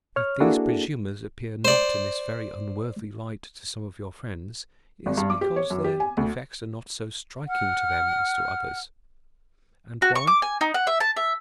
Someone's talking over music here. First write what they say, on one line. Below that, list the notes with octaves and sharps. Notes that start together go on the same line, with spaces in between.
That these presumers appear not in this very unworthy light to some of your friends, is, because their defects are not so striking to them as to others.--And why?
C#5 F6
A#3 D4 E4 F#4 G#4 A4
C5 D5
G#1
G2
D6
G4
C#5
F#2
G4
G#5
D2
F#5 F6
F#4
C#6
D6
G#5
D#4
F#5
E5
A5
E5